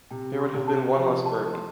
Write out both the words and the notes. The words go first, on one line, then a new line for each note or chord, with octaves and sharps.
There would have been one less burden.
C3 G5
C6
C3
A5
F3 G5
A5
A3
C6